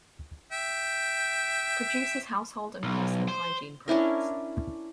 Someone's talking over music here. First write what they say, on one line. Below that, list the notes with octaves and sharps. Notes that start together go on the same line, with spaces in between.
Produces household and personal hygiene products.
E5 G5
B1
C5
C#4 D4 E4 A#4